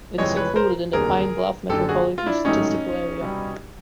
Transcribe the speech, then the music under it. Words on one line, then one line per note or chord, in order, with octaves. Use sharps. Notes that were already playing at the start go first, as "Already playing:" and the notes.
It is included in the Pine Bluff Metropolitan Statistical Area.
F2 C3 E3 G#3 C#5 D#5
B4 C#5
A#4 C5
F1 D#2 D3 F#3 G#4 A#4
F#1 F#2 D3 G4 A4
F#4 G#4
F4
D4 E4
A1 G#2 D#3 F#3 A3 C#4 D#4
C2 B2 G3